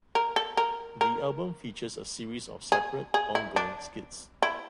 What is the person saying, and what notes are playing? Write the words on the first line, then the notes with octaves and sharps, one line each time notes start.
The album features a series of separate, ongoing skits.
A#4
A4
A#4
A#4
G#4
G#4
E4
D4
E4